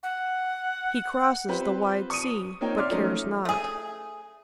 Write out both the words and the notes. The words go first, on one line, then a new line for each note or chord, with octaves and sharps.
He crosses the wide sea, but cares not.
F#5
C4 F4 G4 B4 C5
C#6 D#6 D#7
A#3 C4 D#4 F4 C#5 G5
D5 E5 C6 D6 F6
F3 F#3 A3 C#4 D#4
A3 G#4